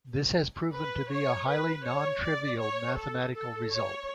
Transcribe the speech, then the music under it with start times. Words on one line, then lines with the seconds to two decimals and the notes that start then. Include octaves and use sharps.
This has proven to be a highly non-trivial mathematical result.
0.73 B4
1.11 C#5
1.48 B4
1.85 C#5
2.23 D5
2.60 C#5
2.97 A4
3.34 A4
3.71 C#5